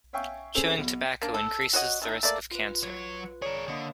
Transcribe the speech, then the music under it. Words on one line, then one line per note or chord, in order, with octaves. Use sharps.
Chewing tobacco increases the risk of cancer.
C#5 E5 F5 G5 G#5 C#6
C4 C#4 G#4 A4 C5
B1 B2
A#3 D4
A4
F#4 C#5 D#5 F#5
C3 A3 D#4
A3 A#3 D5
F4 B4
F#3 C#5
G#4 A#4 C#5 D5 D7
D3 A#3 D#5 D#6